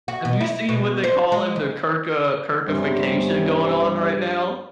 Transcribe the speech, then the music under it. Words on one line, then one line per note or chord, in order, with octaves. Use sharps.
Have you seen what they call in the Kirk, uh, Kirkification going on right now?
F#4
B2
E4
B2
C5
G#3
D2
G2 C3 F3 G3 B3 C#4